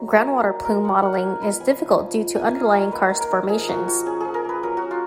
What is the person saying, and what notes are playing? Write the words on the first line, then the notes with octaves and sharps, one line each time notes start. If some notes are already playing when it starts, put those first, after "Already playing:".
Groundwater plume modeling is difficult due to underlying karst formations.
Already playing: F#3 D#4
A#3
D#4
D#4
A#3 A#4
A#3 F#5
D#4 F#5
F3 G#5
B3 B5
F3 G#5
D#4
F3
B3
A#3 G#5
D#4 F5
D#4 C#5
A#3 B4
A#3
A#4
D#4
F3 G#4
A#3 F#4
F3 F#4
C#4 G#4
F3 G#4
A#4
A#3 B4
F#3 A#4
F#4
C#4
F4